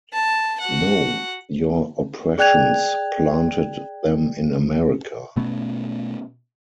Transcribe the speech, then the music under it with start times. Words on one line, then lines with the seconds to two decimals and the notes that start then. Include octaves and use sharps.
No, your oppressions planted them in America.
0.13 A5
0.60 F#4 F#5
2.38 G#4 D5 G5 F#6 G#6 F7
5.36 B2 A3 B3 C#4